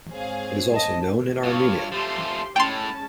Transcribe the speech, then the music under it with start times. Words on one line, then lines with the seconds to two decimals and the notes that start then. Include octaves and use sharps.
It is also known in Armenia.
0.12 G#2 C4 G#4 C#5 F5
0.74 D#5 A5
1.43 G2 F4 C#5
1.92 F3 A3 G4 C6
2.56 A2 G#3 C#4 G5 A5 C6